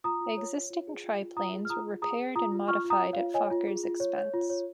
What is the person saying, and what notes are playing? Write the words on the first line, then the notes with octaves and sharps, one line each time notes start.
Existing triplanes were repaired and modified at Fokker's expense.
F4 A#5 D#6
F4
C#5
C#5
F4
G#4
F4
F4
F4 A#5 D#6
G#4
F6
F4 A#5 D#6
G#4
G#4 A#5 D#6
G#4
F4 A#5 D#6
F4
F4 C#6 F6
F4
A#5 D#6
C#5
F5
F4
C#5 D#5 G#5
F4
G#4
F4
C#5
C#5
F4
C#5